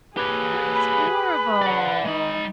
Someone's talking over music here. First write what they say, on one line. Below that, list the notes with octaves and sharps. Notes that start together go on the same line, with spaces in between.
That's horrible.
G4 G#4 B4 C#5
B5
D5 F#5
G#3 D#4 B5